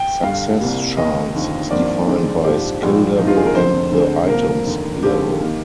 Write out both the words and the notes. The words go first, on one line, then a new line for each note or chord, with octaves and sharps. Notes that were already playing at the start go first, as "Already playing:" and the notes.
Success chance is defined by skill level and the item's level.
Already playing: G5
G2 D3 G3 F5
C2 C3 G3 A#3
D#2 D#3 A#3 D#5
F1 D#2 D3 F3
G#1 G2 F3 A#3 D5
F2 D3 G#3 C4
A#1 G#2 F3 G4
A#1 A#2 G#3
G#1 G2 F3 D#4
F4
G#4
A#4
F1 F2 D3 C5
D2 D3 G#3 C4
C2 C3 F3 A#3 A#4
F1 D#2 D3
D#2 D3 F3 G#3 C4 G4
D#3 A#3